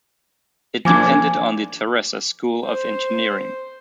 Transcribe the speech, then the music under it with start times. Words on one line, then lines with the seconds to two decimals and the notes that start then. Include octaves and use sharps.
It depended on the Terrassa School of Engineering.
0.85 F3 A#3 D4 G#5 D6 G#6
2.64 C5